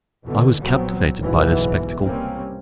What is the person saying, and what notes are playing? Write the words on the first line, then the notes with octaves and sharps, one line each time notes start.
I was captivated by this spectacle.
E2 B2 D3 E3
A#1 F#3 B3 C4
F#1 B1 G#2 E3 B3
C3 G3 A#3 C4 C#4